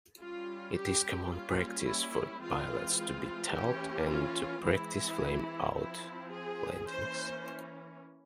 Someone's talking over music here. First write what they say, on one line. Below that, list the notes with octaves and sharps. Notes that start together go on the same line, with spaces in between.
It is common practice for pilots to be taught and to practice flameout landings.
G3 C#4 F4
G4
G3 A#3 C#4 F4
E4
E3 G#3 C4 F4
F4
E3 A#3 C#4 G4
F4
E3 G#3 C4 E4
F3 C4 E4
G#4
E3 A#3 C#4 C5